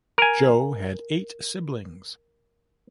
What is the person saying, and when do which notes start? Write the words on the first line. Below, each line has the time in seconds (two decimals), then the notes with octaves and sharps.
Joe had eight siblings.
0.18 A#4 G#5